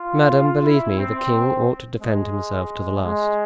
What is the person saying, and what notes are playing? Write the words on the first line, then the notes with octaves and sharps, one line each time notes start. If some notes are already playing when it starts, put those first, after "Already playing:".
"Madame, believe me, the king ought to defend himself to the last."
Already playing: F4
E4
C4
G#3
G#3